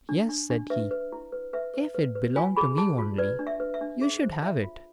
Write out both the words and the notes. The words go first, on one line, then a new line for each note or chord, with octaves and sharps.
"Yes," said he, "if it belonged to me only, you should have it."
D4
D4
D4
B4 E5
B4
E4
B4
B4 E5
B4
B4
B4
F4 G#5
G#4 B5
G#4 A5
F4
B4 D5
D4
E5
B4
E5
D4
G#4 E5
C5
F4 E5
F4